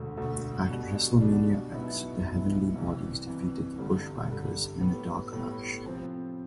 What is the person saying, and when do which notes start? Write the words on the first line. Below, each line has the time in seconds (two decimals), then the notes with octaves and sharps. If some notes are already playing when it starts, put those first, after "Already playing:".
At WrestleMania X the Heavenly Bodies defeated the Bushwhackers in a dark match.
Already playing: E1 D2 D3 A3
0.17 E1 D2 D3 A3
0.68 B2 G3 D4
1.20 B2 G3 D4
1.72 B1 B2 B3 E4
2.23 B1 B2 B3 E4
2.75 C2 C3 E3
3.27 C2 C3 E3
3.78 G1 G2 D3 G3
4.29 G1 G2 D3 G3
4.81 A2 G3 B3
5.33 A2 G3 B3
5.84 C3 F3 C4